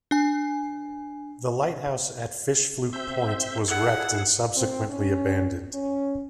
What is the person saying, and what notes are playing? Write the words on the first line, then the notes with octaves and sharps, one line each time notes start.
The lighthouse at Fish Fluke Point was wrecked and subsequently abandoned.
D4 G#5
C4 E5 G6
E4 G#4 A4 F#5
C4
C#4
C#4